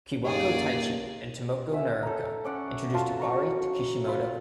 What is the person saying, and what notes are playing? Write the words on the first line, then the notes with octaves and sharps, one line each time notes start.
Kiwako Taichi and Tomoko Naraoka introduced Hibari to Kishimoto.
F#2 A#3 D#4 G4 G#4 C#5 D5
E5 F#5 G#5
A4 A#5
C#4 D5 F#5
F#3 F4 A5
F#5 A#5 C#6
F4 B4